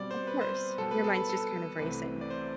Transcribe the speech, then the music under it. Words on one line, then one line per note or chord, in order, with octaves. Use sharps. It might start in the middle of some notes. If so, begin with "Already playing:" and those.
Of course, your mind's just kind of racing.
Already playing: B2 G3 C4 D5
C5
B4
C5
B4
B2 G3 B3 A4
B4
A4
B4
A4
C2 C3 E3 A3 C4 B4
D5
C5